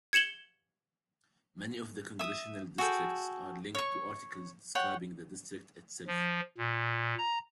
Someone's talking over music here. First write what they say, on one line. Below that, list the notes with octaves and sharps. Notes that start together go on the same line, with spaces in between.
Many of the congressional districts are linked to articles describing the district itself.
G#6 C#7 E7 F#7 G7
E5 D#6
F#4 G#4 A4 G5
C#5 C#6
C#5 F#5 G5 C#6
F3
A#2
A#5